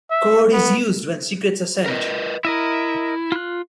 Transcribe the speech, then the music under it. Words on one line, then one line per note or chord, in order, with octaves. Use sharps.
Code is used when secrets are sent.
E5
B3
A#4 B4 D#5
E4 A#4 D#5 E5
F4 F#6